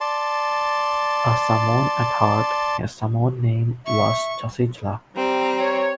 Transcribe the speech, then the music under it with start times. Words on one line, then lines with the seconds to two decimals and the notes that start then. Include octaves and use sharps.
A Samoan at heart, his Samoan name was Tusitala.
0.01 D5 A5 C6
3.86 E5 C#6
5.17 G3 C4 A#5
5.60 C#5